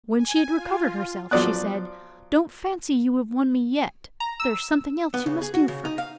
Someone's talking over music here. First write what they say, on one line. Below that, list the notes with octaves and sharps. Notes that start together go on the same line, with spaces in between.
When she had recovered herself she said, 'Don't fancy you have won me yet, there is something else you must do first.
G#5
F4
F3 F#3 D5 D#6 F#6
A#5
E6
B3
C#3
G#4
F#4
C#3
D#4
F5